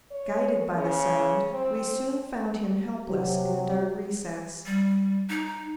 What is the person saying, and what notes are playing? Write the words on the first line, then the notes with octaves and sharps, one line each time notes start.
Guided by the sound, we soon found him helpless in a dark recess.
C#5
C#3
C4
C3 F#3 G4
G3
D#4